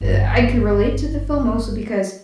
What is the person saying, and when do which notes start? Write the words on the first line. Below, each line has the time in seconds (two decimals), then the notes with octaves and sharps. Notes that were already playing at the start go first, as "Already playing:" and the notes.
eh, I can relate to the film mostly because
0.01 G1 F#2